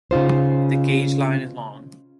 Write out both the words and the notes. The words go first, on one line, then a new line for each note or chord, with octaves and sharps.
The gauge line is long.
C#3 D#4 F4 C5